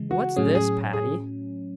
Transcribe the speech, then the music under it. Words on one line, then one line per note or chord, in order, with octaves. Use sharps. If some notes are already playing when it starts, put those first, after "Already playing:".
"What's this, Patty?"
Already playing: C#3 E3 G#3
F#4
A2 F#3 C#4 G#4
G#4
G#4